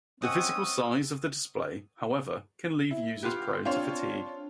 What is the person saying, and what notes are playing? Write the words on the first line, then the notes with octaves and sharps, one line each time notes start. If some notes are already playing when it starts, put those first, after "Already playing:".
The physical size of the display, however, can leave users prone to fatigue.
C4 C#4 D#5 F#5 C#6 D#6 E6
E4
B3 F4 G4
C4 D4 F4 C#5 F5 C6